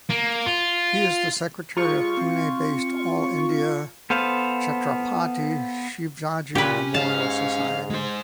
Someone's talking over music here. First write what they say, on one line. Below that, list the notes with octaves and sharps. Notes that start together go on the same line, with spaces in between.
He is the secretary of Pune based All India Chhatrapati Shivaji Memorial Society.
A#3
F4
G3 F4 G#4 A#5 C#6
C4
B3 A4 C5 F5
A#2 C#4 G4 B4
G#2 F5 A5
G#3 C5